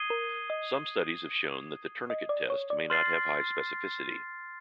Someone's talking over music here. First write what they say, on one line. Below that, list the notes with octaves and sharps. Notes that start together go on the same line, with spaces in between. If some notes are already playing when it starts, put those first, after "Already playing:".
Some studies have shown that the tourniquet test may not have high specificity.
Already playing: D#6 G#6 C7 D#7 G7
A#4
D#5
D#5
D5
C#5
D5
C6 F6 A6 C7